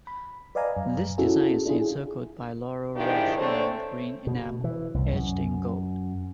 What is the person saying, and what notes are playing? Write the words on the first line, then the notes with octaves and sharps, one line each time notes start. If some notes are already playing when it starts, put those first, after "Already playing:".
This design is encircled by a laurel wreath in green enamel, edged in gold.
B5
B4 D5 D#5 F5 G#5 A#5
F#2
C#4 E4 F#4 G#4 A4
D4 E4 F4 G#4
G#2 D#3 F3 D4 E4 G4
D3 A3 C4 D4 C5 C#5
B2
E3
C2
F#2